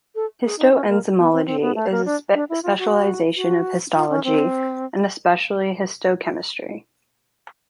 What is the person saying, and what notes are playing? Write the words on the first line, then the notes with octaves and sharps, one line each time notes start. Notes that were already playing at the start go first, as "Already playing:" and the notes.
Histoenzymology is a specialization of histology and especially histochemistry.
A4
G#4
D#4
C#4
B3
A#3
B3
C4
C4
B3
A3
A#3
D4
D4
E4
F4
F#4
F#4
F4
C#4
C4